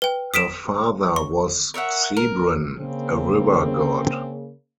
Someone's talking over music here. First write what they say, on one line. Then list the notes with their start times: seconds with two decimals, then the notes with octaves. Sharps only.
Her father was Cebren, a river-god.
0.02 B4 G5
0.34 D#6 B6 D7 E7
1.16 C#6
1.74 A#4 C#5 E5 F#5
2.17 A#4
2.79 C#3 A#3 C4